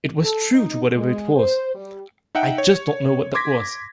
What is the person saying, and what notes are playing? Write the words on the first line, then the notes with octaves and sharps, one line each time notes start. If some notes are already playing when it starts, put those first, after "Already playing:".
It was true to whatever it was; I just don't know what that was!
A4
D#4
G#3
C5
G3
D#4 E5 F#5 G5
C#5
C6 D6 G#6 A#6 B6